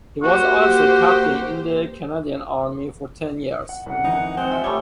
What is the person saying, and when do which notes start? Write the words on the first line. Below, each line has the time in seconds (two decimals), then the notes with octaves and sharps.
He was also a Captain in the Canadian Army for ten years.
0.23 A#3 F#4 G4 C5
3.69 F#5
3.86 C2 C#3 F#5
4.04 F2 D#3 E3 D#4
4.37 G#3 C4
4.52 F4 E5 G5
4.64 G3 A3 C#5 G7